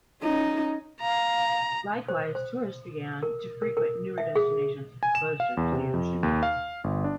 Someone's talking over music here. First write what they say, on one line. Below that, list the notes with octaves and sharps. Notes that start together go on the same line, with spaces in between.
Likewise, tourists began to frequent newer destinations closer to the ocean.
C#4 D#4
F5 A#5
C5
C5
A#4
A#4
A#4
E5
G#4
G#5
E7
F5
E2
C3
F2
D#2
F5
G1
D4